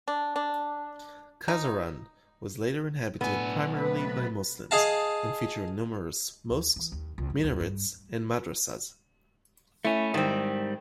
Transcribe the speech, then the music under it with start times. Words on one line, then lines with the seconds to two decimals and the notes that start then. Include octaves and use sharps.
Khazaran was later inhabited primarily by Muslims and featured numerous mosques, minarets, and madrasas.
0.08 D4
0.36 D4
1.48 D#4
3.21 B1 A2 B3 D4 G#5 E6
3.75 A3 C4 B4
4.71 G#4 D#5 F5 A5
6.50 D#2
6.76 E3
6.92 D#2
7.18 C#2
7.30 G2
7.44 D#2
7.60 G2
9.85 A3 C#4 E4
10.14 G#2 D#3 G3 C4